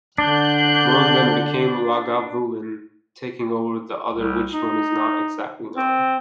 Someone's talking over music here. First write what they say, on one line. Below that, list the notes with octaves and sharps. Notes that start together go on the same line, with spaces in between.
One of them became Lagavulin, taking over the other-which one is not exactly known.
D3 D4 F#6 G6
C2
D#4
C4